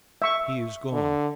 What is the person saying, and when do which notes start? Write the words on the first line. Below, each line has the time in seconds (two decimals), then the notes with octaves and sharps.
He is gone!
0.22 E5 C#6
0.93 D3